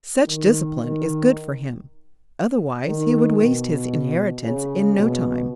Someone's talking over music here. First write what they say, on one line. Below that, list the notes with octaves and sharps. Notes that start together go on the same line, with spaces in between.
Such discipline is good for him, otherwise he would waste his inheritance in no time.
D#3
D#3
D#3
B2
C#3
B2